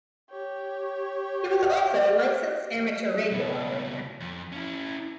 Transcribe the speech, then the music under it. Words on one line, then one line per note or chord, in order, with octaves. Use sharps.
He was also a licensed Amateur Radio operator.
G4 C#5
C#2 B2
F2
C#4 E4